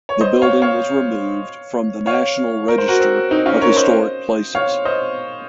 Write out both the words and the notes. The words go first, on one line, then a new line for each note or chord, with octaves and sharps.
The building was removed from the National Register of Historic Places.
C#5
C5 D#5
C#5 F5
C#5 F5
C#5 F5
A#4
C5
F#4 A#4
C4
C4 D#4
C#4 F4
A#4 C#5
C5 D#5
C#5 F5
C5 D#5